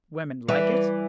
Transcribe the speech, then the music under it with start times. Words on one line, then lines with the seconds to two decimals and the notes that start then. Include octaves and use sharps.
"Women like it."
0.48 E3 G3 E4 B4 D5